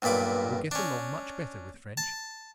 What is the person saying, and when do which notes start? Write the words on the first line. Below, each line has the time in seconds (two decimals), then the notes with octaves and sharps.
You will get along much better with French.
0.02 B1 G2 A#2 B5 D6
0.71 C#4 D4
1.97 A5